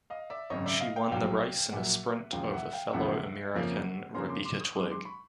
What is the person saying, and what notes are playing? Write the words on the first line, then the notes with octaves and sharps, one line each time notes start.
She won the race in a sprint over fellow American Rebecca Twigg.
D#5 F5
D5 E5
G#1 F#2 C#3 C#5 D#5
D5 E5
D#5 F5
F5 G5
A#1 A#2 F#3 F5 G5
A#1 A#2 F#3 E5 F#5
E1 D#2 C#3 F3 G#3 F5 G5
E5 F#5
F5 G5
E1 D#2 C#3 F3 G#3 E5 F#5
F2 C#3 F3 A#3 C#4
F2 C#3 F3 A#3 C#4 A#5 C6
C6 D6
C6 D6
C#6 D#6
F#2 D#3 G#3 C6 D6
C6 D6
B5 C#6